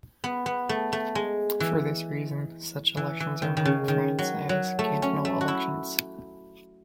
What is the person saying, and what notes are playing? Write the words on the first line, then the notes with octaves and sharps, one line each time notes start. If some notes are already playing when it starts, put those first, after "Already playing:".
For this reason, such elections are known in France as "cantonal elections".
B3
B3
A3
A3
G#3
E3
E3
E3
D#3
D#3
C#3
D#3
F#3
F#3
A3
C#4
A3
F#4
E4